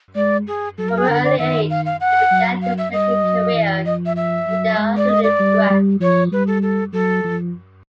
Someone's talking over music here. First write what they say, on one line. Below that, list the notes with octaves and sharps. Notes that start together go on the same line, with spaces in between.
From an early age he began his military career in the artillery branch.
G#3 D5
G#4
F#3 A4
A#4
G#4
D3 A#4
D5
D#3 E5
F5
F5
F#5
F#3
F5
E5
G3 D#5
F#3
E3
F3 D#5
E5
E5
F#3
G#3
D5
D#5
D5
G3
G3
F3 C#5
G3 B4
A4
A4
F#3 A4
F3